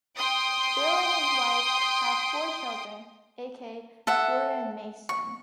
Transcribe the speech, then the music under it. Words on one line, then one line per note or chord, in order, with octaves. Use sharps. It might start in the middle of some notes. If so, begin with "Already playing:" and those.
Bill and his wife have four children aka Jordan Mason.
G5 C6 D#6
A4 E5 F#5
C#6